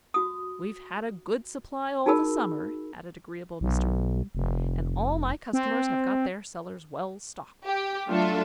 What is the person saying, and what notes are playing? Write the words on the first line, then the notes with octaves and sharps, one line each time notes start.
"But we've had a good supply all the summer," added agreeable Mr. Wootten, "and all my customers have got their cellars well stocked."
F#4 D#6
D#4 F#4 G#4 A#4 B5 E6
B1
F1
C4
G4
F#3 A3 D4 F4 A4 E5